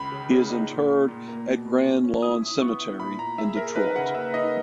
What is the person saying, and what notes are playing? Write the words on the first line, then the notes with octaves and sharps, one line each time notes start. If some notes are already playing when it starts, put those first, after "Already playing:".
He is interred at Grand Lawn Cemetery in Detroit.
Already playing: C#2 B5
C#3
C#3
D#4
A#2
A#2
A#2
A#3
B2
B2
C#4
C#4
E4 D#6
E4
B3 C#6
E4
A#2 B5
A#2 A#5
G#4 E5
G#4 A#4
D#4 B4
C#3 F#5
A#3 E5
D#4 D#5